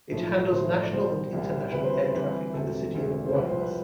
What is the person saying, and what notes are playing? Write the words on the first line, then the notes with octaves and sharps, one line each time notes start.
It handles national and international air traffic for the city of Guaymas.
B1 A2 F3 A3
B1 A2 F3 A3 C5
D5
D5
C2 B2 G3 C5
C2 B2 G3
D2 C3 E3 G3 B4
C5
B4
C5
D2 C3 E3 G3 B4
E1 D2 C3 A4
E1 D2 C3
C5
C2 C3 F3 B4
C5
B4